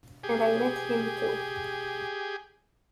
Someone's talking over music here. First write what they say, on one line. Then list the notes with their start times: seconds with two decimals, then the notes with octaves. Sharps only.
And I met him, too.
0.24 G4 G#4